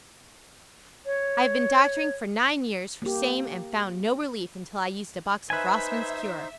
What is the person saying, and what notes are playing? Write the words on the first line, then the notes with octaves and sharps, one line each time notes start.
I have been doctoring for nine years for same and found no relief until I used a box of Rossman's Cure.
C#5
A#3 G4
D#4 B4 C5 E5 G#5